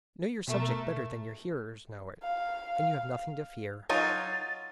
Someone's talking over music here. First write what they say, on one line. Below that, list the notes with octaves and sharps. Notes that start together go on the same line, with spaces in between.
Know your subject better than your hearers know it, and you have nothing to fear.
B2 A3 A#4 E5
F5
F5
F#3 D#4 F4 A6